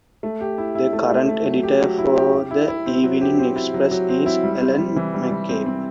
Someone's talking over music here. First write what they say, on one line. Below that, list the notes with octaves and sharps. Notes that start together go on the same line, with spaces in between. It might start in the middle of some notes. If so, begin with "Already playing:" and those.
The current editor for the Evening Express is Alan McCabe.
A3
G4
E4
E4
A3
A3
A3
F#3
G4
F#3
E4
G4
G4
E4
E4
C4
F#3
G4
C4
E4
F#3
F#3
C4
E4
G3
C4
G3
E3
G3
G3
C4
C4